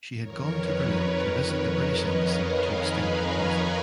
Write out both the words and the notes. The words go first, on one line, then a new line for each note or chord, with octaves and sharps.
She had gone to Berlin to visit the British embassy to extend her visa.
F2 D#3 A#4 C#5
B4
A#4
B4
B4
B4 D#5
C#5 F5
F5 G#5
G#5 B5
A#5 C#6
G#5 B5